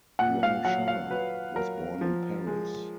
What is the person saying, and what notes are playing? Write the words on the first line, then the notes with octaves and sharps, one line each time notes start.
Blanchard was born in Paris.
A#2 F#5
F5
F#3 F#5
F5
F#3 B4
F#3 A#4
F3
G#3